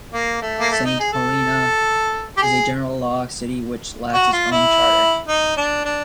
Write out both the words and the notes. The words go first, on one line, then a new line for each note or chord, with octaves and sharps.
Saint Helena is a general law city which lacks its own charter.
A#3
A3
A#3
A3
D#4
G#4
A4
G4
G#4
F#4
F4
E4
D#4
D4
D4